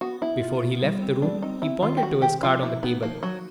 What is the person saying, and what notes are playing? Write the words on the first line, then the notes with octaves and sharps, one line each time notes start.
Before he left the room he pointed to his card on the table.
B3 F#4
B3 E4
F4
B3
G3
C4
G3 D4
C4 D#4
C4 E4
D#3 F4
G4
G#3 F#4
D#3 G4
F3 F4
A#3 E4
B3 D#4
F3 A#3
F#3 F#4